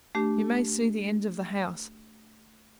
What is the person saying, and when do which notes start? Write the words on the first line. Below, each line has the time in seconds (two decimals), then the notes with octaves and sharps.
You may see the end of the house.
0.15 A3 D4 G4